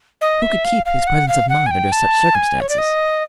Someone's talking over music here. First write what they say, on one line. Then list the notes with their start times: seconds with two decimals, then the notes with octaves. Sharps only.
Who could keep his presence of mind under such circumstances?
0.21 D#5
0.42 E5
0.65 F5
0.86 F5
1.07 F#5
1.28 F5
1.49 F#5
1.66 G#5
1.71 G5
1.92 A5
2.35 G#5
2.61 C#5
2.69 D5
2.78 D#5